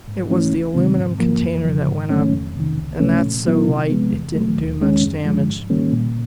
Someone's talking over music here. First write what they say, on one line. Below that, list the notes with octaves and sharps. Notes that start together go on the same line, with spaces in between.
It was the aluminum container that went up, and that's so light it didn't do much damage.
G#2
E3 A3 C#4 E4
D2
C3 D#3 G#3 C4
G#2
F3 A#3
F2
C#3 F3
G#2
D#3 F#3 A3 C#4
F2
C3
D#3
C#2
C3 F3 A3 C#4
A#2
F#3 B3 E4
C3
F3 G#3 B3
E2
B2 F#3 A3
D#2
D#3 G#3 C#4
F#2
D3 F3 G#3
G#2
D#3 G3 A#3 C#4
A#2